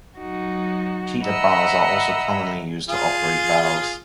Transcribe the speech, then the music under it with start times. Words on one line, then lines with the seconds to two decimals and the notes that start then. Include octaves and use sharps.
Cheater bars are also commonly used to operate valves.
0.19 F#3 D#4 F#4
1.24 D#5 E5 F#5 A#5 B5 E6
2.89 F4 G#4